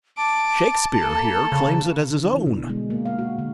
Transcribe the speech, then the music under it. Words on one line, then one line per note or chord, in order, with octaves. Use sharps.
"Shakespeare here claims it as his own."
A5 D6
A#3 A4
C#3
D3
E3
B2
G#3
A#3
F5
F#4
D3